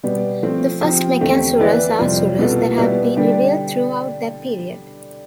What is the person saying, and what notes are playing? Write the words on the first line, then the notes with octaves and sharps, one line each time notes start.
The First Meccan surahs are surahs that have been revealed throughout that period.
B2 G3 B3
F3 A3 C4
F3 C4 G4
E2 D3 A3 C4 G4
E3 B3 E4 B4 D5
F2 C3 G3 C4 F4
C2 B2 B3 F4 A4
B2 G3 B3 E4
D3 G3 D4 G4